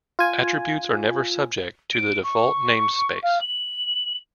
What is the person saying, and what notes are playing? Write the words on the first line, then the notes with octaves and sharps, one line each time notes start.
Attributes are never subject to the default namespace.
F4 G#5
D7
C#6
F5
F#7